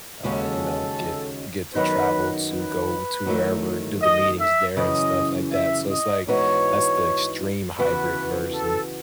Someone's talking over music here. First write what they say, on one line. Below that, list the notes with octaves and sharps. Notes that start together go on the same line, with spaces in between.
uh, you know, get get to travel to go to wherever; do the meetings there and stuff like that. So it's like, that's the extreme hybrid version.
D#2 C#3 G#3 C#4 F#4 A4
F#2 D#3 F#3 B3 D#4 B4
B4
E2 D#3 F#3 A3
D#5
E5
F#2 C#3 E3 D#5
E5
D#5
G#2 E3 B3 D#4 F#4 C#5
C#3 E3 B3 F#4 B4
A4